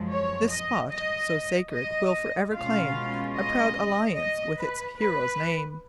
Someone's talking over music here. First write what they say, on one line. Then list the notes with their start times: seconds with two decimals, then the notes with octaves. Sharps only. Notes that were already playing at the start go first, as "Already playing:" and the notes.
This spot so sacred will forever claim A proud alliance with its hero's name.
Already playing: F#2 F3 G#3
0.10 C#5
0.50 D#5
0.91 D#5
1.73 D#5
2.54 B2 G#3 C#4 F4 F5
3.36 D#5
4.16 D#5
4.57 B4
4.97 B4